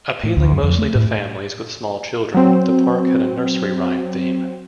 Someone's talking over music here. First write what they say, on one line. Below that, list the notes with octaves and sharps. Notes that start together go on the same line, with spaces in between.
Appealing mostly to families with small children, the park had a nursery rhyme theme.
A2
D2
F#2
F2
A3
A2
F#3 C4